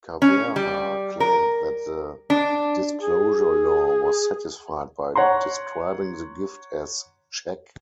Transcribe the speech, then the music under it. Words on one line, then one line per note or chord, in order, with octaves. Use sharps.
Ceverha claimed that the disclosure law was satisfied by describing the gift as 'check'.
C#4
G3
A#4
D4
G#4
C#5 F#5 A#5 C6